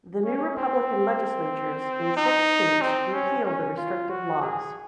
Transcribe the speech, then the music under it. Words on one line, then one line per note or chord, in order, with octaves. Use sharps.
The new Republican legislatures in six states repealed the restrictive laws.
C#4
C4
D#4
C4
C#4
C#4
F4
F#4
G#4